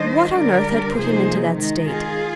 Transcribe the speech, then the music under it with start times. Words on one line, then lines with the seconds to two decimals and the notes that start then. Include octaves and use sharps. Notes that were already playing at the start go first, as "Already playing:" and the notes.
What on earth had put him into that state?
Already playing: D#3 G3 D4 C5 D#5
0.35 D3 G3 D4 A#4 D5
0.96 C3 F3 A#3 D#4 G#4 C5
1.57 D#3 G#3 D#4
1.87 F4 G#4